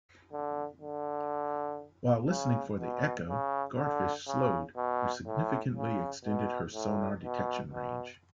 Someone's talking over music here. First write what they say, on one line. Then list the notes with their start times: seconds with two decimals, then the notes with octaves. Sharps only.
While listening for the Echo, "Guardfish" slowed which significantly extended her sonar detection range.
0.33 D3
0.82 D3
2.30 C#3
2.80 B2
3.29 C#3
3.78 D3
4.28 C#3
4.77 B2
5.26 A2
5.76 C#3
6.25 B2
6.75 A2
7.24 B2
7.73 B2